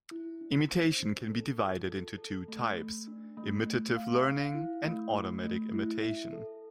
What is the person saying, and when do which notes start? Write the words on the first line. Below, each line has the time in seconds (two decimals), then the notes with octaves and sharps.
Imitation can be divided into two types: imitative learning and automatic imitation.
0.11 E4
0.41 D4
0.70 C5
1.00 D4
1.30 A4
1.59 F4
1.88 A4
2.18 A4
2.48 A3
2.78 A3
3.08 D4
3.37 A3
3.66 A3
3.96 F5
4.25 F5
4.55 E4
4.85 A3
5.14 A3
5.43 A3
5.74 E4
6.03 E5
6.33 A4